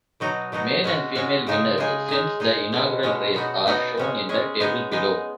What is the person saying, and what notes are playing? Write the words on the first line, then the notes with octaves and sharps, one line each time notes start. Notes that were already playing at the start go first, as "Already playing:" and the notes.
Male and female winners since the inaugural race are shown in the table below.
B2 F#3 D#4 F#4
B2 F#3 D#4 F#4
G#3 C#4 F#4
G#3 C#4 F#4
C#3 G#3 D#4 G#4
C#3 G#3 D#4 G#4
G#3 D#4 G#4
G#3 D#4 G#4
B2 G#3 C#4
B2 G#3 C#4
B2 B3 D#4 F#4
B2 B3 D#4 F#4
G#3 C#4 G#4
G#3 C#4 G#4
G#3 B3 D#4 G#4
G#3 B3 D#4 G#4